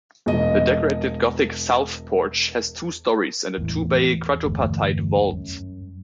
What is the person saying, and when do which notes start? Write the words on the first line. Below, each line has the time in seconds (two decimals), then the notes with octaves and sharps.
The Decorated Gothic south porch has two storeys and a two-bay quadripartite vault.
0.26 E1 D#5
3.58 E2 A2
4.44 G1 E2 A3
5.28 F#2